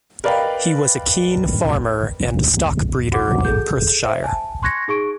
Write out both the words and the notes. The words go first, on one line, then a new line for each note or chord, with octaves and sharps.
He was a keen farmer and stock breeder in Perthshire.
A#4 B4 D5 D#5 F5 G5
F#4 F#5 D6
G#4 A4 G6
C5 E5
G#5 A5
C6 C#6 F#6 G#6 A#6 C#7
D#4 G#4 C#6 D7